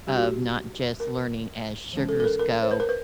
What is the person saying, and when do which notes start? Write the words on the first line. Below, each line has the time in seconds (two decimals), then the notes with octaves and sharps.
of not just learning as sugars go,
0.07 G3 B3 D4 G4
0.15 F#4
0.23 G4
1.00 A#4
1.93 E3 G#3 C#4
2.09 A4
2.20 A4
2.24 A#4
2.39 A#4
2.63 C5
2.71 B4
2.80 A#4
2.89 B4